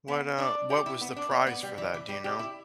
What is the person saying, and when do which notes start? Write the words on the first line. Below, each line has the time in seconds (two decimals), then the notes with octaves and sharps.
what uh, what was the prize for that, do you know?
0.08 B3
0.38 D4
0.70 G4
0.86 E4
1.01 B3
1.16 D4
1.31 B3
1.47 B3
1.63 G3
1.78 E3
1.94 E3
2.09 G3
2.24 G4
2.39 E4